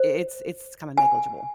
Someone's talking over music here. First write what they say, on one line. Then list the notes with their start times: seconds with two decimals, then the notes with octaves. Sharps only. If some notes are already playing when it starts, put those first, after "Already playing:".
i it's it's kinda negligible.
Already playing: C5
0.98 G#5